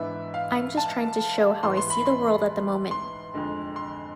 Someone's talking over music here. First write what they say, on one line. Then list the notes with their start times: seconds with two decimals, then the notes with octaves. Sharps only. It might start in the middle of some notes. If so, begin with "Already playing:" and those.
I'm just trying to show how I see the world at the moment.
Already playing: G#2 E3 B3 D4 E5
0.34 F5
0.77 A5
1.63 G#2 E3 B3 C6
1.77 C6
1.90 B5
2.06 C6
2.91 C6
3.34 F2 D3 G#3
3.76 C6